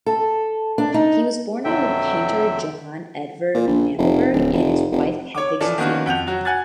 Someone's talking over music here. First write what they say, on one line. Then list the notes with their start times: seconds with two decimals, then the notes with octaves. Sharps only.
He was born to painter Johan Edvard Mandelberg and his wife Hedvig Sophia.
0.06 A4
0.78 D4
0.94 D#4
1.65 F2 B2 D3 F#3 E5 G5
3.54 A#2
3.67 A#1
3.98 F1
4.33 D1
4.53 F1
4.92 F1
5.35 C#5 D6
5.61 E3 F3 A4 D5
5.78 D#3 A#3 B3 C#4 F#4
6.06 F2 F#5 G6 F7
6.27 F#3 F#4
6.45 F#5 G#5 F#6 G#6 A6